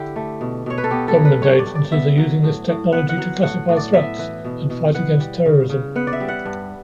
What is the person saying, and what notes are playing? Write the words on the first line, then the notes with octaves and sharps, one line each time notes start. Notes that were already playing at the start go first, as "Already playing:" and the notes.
Government agencies are using this technology to classify threats and fight against terrorism.
Already playing: D3 E4 G4
A3
B2
B2 C#5
B4
A4
B3 G4
A4
F#3
B4
G2 C#5
D5
G2
D5
B3 E5
F#3
A2
A2
B3 F#5
F#5
F#3
A2 F#5
A2
D5
B3 E5
E3
B2
B2
B3 F#5
G3
C#3
C#3
B3 F#5
D5
E5
G3
F#5
G2